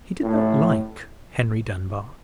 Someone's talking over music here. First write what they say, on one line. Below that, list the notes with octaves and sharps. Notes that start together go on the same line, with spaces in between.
He did not like Henry Dunbar.
A2